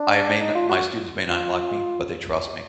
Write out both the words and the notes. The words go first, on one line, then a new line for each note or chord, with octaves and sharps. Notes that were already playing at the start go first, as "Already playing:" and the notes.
I may not my students may not like me, but they trust me.
Already playing: D4
D#4
F4
F#4
F4